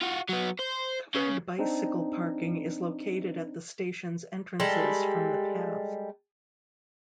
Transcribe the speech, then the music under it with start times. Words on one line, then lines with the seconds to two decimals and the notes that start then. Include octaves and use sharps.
Covered bicycle parking is located at the station's entrances from the path.
0.02 F4 F#4
0.29 F#3 B3
0.59 C5
1.15 C#3
1.59 C4 D4 D#4
4.60 G3 G#3 A4